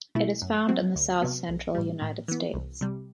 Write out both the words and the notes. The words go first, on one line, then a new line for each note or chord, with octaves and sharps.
It is found in the south central United States.
B2 A3 E4
F#2
F#3 C4 F#4
D2
C3 F#3 B3
B1
A2 G3
A2
E3 B3
C2
C3 G3